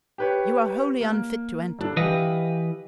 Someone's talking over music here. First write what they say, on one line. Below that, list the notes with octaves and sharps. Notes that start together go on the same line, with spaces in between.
You are wholly unfit to enter.
G4 B4 C#5
A#3
G2 D4 A4
E3 G4 B4 D#5 F5